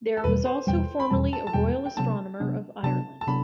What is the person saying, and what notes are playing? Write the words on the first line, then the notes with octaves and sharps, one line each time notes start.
There was also formerly a Royal Astronomer of Ireland.
A4
E2 B2 G3 B4
C5
E2 B2 G3 G5
B5
E2 B2 G3 A5
A5
A5
E2 B2 G3 G5
G5
C3 F#3 B3 D4 A5
C3 F#3 B3 D4
C3 F#3 B3 D4 A5
A5
C3 F#3 B3 D4 B5